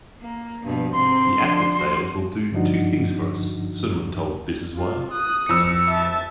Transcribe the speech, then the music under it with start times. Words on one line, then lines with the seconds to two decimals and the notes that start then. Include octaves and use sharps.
'The assets sales will do two things for us,' Suwyn told Business Wire.
0.21 A#3
0.63 G2 B2 F3
0.93 G#2 C3 C4 C6
1.35 D3 F3 D4
1.78 F#4
2.52 G2 D3 F3 D4 D#4 F#4
4.76 F4
5.11 D#6 F#6
5.49 F2 E6 C#7
5.87 E5 A5